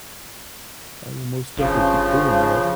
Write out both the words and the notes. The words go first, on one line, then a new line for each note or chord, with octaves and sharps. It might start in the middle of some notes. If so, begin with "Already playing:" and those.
I will most definitely keep doing that.
G1 C#3 F3